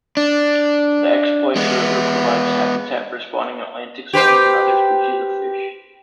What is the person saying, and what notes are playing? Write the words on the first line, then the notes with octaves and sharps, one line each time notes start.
The Exploits River provides habitat for spawning Atlantic Salmon and other species of fish.
D4
G#3 B3
G4 B4 C5